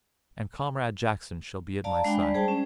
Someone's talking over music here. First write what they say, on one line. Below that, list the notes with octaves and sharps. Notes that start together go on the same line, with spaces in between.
And Comrade Jackson shall be at my side.'
D5 F5 A5 A#5
G#3 D4 G5 G#5 B5
G3 D5
G#4 C5 G5 A5
C#4